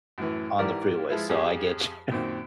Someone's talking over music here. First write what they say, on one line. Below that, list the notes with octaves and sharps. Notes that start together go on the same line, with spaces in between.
on the freeway, so I get you,
F#2 A2 E3
G#2 E3 G4 A#4 D5
F3 G#3 E4 F4 B4
F2 G4 G#4
F#2 A#2 D#3 C4